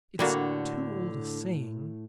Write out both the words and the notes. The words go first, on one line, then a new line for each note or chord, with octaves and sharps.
It's too old a saying.
A2 D3 G3 A#3 D4 F#4